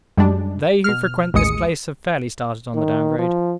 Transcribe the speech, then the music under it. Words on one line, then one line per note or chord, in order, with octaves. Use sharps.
They who frequent this place have fairly started on the down grade.
F#2 G3 G#3 D4
B2 F6
A1 D#2 G#3 D#6 C#7
D#3
F3